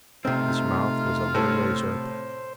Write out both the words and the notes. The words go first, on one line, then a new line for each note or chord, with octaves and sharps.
His mouth was a little ways open.
C3 A3 C4 D#4 F4
A2 C5